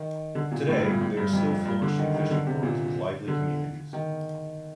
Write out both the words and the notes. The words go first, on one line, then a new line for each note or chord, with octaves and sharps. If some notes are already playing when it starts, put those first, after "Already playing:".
Today, they are still flourishing fishing ports with lively communities.
Already playing: D#3
D3
A#2
A2
G2
A#2
A2
G2
F2
G2
D3
D#3
D#3
D3
C3
A#2
D3
D#3